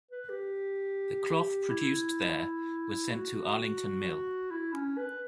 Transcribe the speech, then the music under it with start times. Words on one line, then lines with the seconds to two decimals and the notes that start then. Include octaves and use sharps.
The cloth produced there was sent to Arlington Mill.
0.11 B4
0.29 G4
1.70 E4
3.10 F#4
4.51 E4
4.73 C#4
4.97 B4